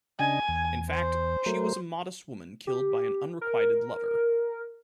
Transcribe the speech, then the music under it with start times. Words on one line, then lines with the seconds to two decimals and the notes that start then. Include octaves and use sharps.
In fact, she was a modest woman killed by an unrequited lover.
0.19 C#3 D4 D#5 G#5
0.48 E2
0.91 C5
1.46 F#3 A3 A#4
2.67 G4
3.41 A#4